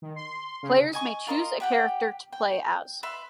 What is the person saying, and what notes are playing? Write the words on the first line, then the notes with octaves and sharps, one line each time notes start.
Players may choose a character to play as.
D#3
C6
C#3
D#5 G#5 C#6
F4 A#4 D#5 C6
G4 F#5 G5
G5
B4 E5 C6